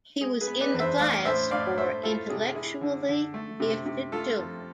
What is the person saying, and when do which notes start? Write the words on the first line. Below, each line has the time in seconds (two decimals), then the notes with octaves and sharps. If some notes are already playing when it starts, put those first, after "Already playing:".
He was in the class for intellectually gifted children.
0.21 G#3 G#4
0.41 G#4 B4
0.47 B3
0.61 B4 D5
0.74 E2
0.80 C5 E5
0.99 A3 D5 F5
1.25 A2 C5 E5
1.51 A2 D5 F5
1.78 A3 C5 E5
2.03 E4 F4 A4
2.30 C3 G#4
2.55 E4 G#4
2.81 D3
3.09 D3
3.34 A3
3.60 C3
3.86 C3
4.12 A3 F4 A4
4.38 F2